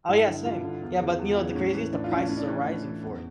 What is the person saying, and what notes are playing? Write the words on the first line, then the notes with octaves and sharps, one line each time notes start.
Oh, yeah, same. Yeah, but, you know, the craziest, the prices are rising for it.
G2 E4
D3
G2 F4
D3
E2
C#3 E3
E2
C#3 E3
A2 C#4
E3
A2 D4
F4
E3 C#4
D4
A2 C#4
D4
E3 C#4
A2
E3
E2